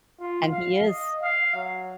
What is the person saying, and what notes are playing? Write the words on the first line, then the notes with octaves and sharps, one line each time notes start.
and he is.
F4
F5
D#5
F5
F#3